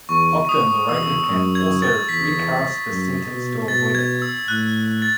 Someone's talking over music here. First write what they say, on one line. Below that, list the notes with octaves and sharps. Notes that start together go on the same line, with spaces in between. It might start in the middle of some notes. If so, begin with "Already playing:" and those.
Often the writer can also recast the sentence to avoid it.
E2 C#6
D#6
E2 E6
F#2
G#6
A6
E2 B6
F#2
B2
B2 A6
G#6
E6
A2 F#6
A6